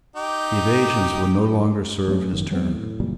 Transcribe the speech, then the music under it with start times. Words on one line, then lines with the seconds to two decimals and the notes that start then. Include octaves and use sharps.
Evasions would no longer serve his turn.
0.16 D#4 G4
2.08 F#3 A3 C#4
2.32 A1 F#2 D#3
2.51 F#3 G#3 B3 C4
2.74 A2
3.00 F#1 A#2 E3 G3